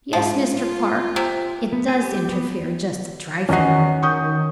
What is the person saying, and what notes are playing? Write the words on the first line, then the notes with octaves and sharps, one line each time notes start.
"Yes, Mr. Clark, it does interfere just a trifle."
G#2 F3
F4
C3
B3
G#5
G4
B3
E2 D#3 C#4 F#4 D#5 C7
D#3 C#6 D#6 G6